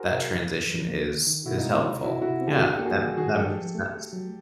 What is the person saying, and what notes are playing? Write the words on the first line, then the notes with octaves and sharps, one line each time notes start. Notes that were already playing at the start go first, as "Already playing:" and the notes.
that transition is is helpful. Yeah. That that makes sense.
Already playing: F#4 G#4 A#4 C5
C3
E3
E3
F3
A#3
D#3
D#3
B2 E4 F#4
D#4 F4
G#3
D#4 F4
C3 D#4 F4
C3 E4 F#4
C3 E4 F#4
C4
G4 A4
D4 F#4 G#4
G4 A4
A#3
F#4 G#4
G3
D#3 F#4 G#4
G#3 G4 A4
F3
A3
A3
F#3